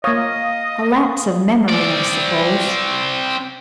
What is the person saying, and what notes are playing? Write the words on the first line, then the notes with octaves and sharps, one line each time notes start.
A lapse of memory, I suppose.
A#3 C#5 D#5 F5 D#6
C4 D5